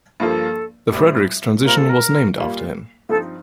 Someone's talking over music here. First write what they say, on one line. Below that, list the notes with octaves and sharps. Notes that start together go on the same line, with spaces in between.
The Frederiks transition was named after him.
G2 F3 A#3 F4 A4
A1 A2 G3 C4
A#2 G3 C4 F4 A#4
A4
A#4
A#2 G3 A#3 F4
G2 F3 C4 D#4 A4